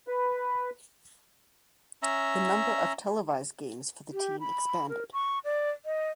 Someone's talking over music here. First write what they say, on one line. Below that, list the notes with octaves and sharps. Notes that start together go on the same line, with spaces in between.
The number of televised games for the team expanded.
B4
C#4 E5 A#5
G4
B5
A#4
C#6
D5
D#5